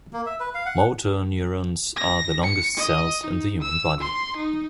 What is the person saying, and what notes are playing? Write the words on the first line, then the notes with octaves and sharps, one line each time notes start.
Motor neurons are the longest cells in the human body.
A#3
E5
B4
F5
F#5
A#6
C#7
D#5
D#4
E6
C6
D#4